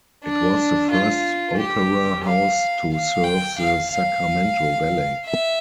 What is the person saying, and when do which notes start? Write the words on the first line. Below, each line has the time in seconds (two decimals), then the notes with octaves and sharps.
It was the first opera house to serve the Sacramento Valley.
0.23 D4
0.91 F4
1.58 G4
2.24 F5
2.91 F5
3.24 G5
3.58 F5
3.91 F5
5.25 E5